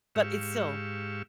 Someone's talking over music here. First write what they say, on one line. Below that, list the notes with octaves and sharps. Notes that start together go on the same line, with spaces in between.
but it's still
G#2 G4 F5 C#6 E6